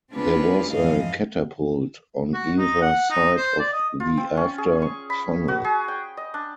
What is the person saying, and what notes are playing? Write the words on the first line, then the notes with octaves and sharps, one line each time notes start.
There was a catapult on either side of the after funnel.
B3 C4 D4 F4 G#4 B4
F2 G#2 E3 D#5 F5
F#4
D#4
F#5
D#4
C5
D5
D#5
F4
C4
C#4
G#4
C#6
B5
F#4
G#4
G5
D#5
D4